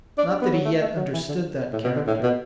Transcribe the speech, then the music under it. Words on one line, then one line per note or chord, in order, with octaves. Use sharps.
Not that he yet understood that character.
D4
D4
B3
F#3
A3
A3
F#3
E3
D3
A2
B2
D3
A2
B2